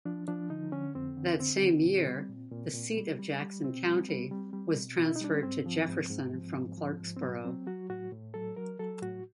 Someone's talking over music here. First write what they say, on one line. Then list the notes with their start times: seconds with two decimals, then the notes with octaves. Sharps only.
That same year, the seat of Jackson County was transferred to Jefferson from Clarkesboro.
0.05 F3 D4
0.28 F3 D4
0.50 D3 D#4
0.72 D3 C#4
0.95 F2 C4
1.17 D3
1.39 D3 C4
1.62 D3
1.85 A#2
2.06 G3
2.29 A#2
2.52 A#2
2.74 A#2
2.97 G3
3.19 G3
3.42 G3
3.64 B2 C4
3.86 G3
4.09 G3
4.31 G3
4.53 G3
4.75 B2
4.98 B2
5.06 E4
5.16 D#4
5.21 G3 D4
5.34 C#4
5.43 G#2 C4
5.66 F3
5.88 G#2
6.10 G#2
6.33 F3
6.55 G#2
6.77 F3
7.00 G#2
7.17 C4
7.22 F#3 B3
7.44 F#3 C4
7.67 F#3 F#4
7.89 A2 F#4
8.12 A2
8.34 F#3 A4
8.56 F#3 A#4
8.79 F#3 A4
9.02 A2 F#4